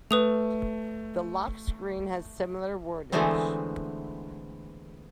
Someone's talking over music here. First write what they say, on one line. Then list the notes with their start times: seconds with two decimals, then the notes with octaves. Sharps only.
The lock screen has similar wordage.
0.11 A3 B4 D#6 F7
3.12 D3 E3 G#3 A3 B3 C4